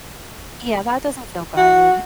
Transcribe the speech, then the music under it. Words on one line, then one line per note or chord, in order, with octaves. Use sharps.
Yeah, that doesn't feel good,
F#4